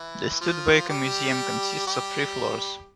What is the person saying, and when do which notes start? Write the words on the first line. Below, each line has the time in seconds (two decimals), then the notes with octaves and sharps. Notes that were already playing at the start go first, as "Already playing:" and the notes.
The Studebaker museum consists of three floors.
Already playing: E3 E4
0.41 F3 F4
0.89 G3 G4
1.86 G3 G4